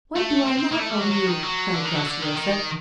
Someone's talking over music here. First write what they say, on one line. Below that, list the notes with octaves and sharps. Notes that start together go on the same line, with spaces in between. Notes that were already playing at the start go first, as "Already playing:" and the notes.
"What do I not owe you?" cried Graciosa.
A3
C4
C4
A#3
A3
G3
F#3
F#3
D#3
F#3
D3
D#3
F#3
D3
D#3
D#3